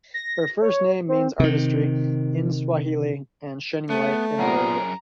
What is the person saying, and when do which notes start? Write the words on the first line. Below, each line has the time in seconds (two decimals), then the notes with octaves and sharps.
Her first name means "artistry" in Swahili and "shining light" in Arabic.
0.14 A#6
0.62 C#5
1.08 C4
1.40 C3 D#3
3.90 A3 B3
4.38 F#2 A#2 B3 G#4 A#4 A#5